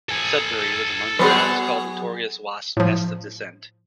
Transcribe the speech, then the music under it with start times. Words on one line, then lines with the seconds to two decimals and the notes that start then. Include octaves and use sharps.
Sudbury was among the town's called notorious wasps' nests of dissent.
0.09 A4 G#5
1.19 F#3 B3 G#4 B4 C5
2.77 A2 F3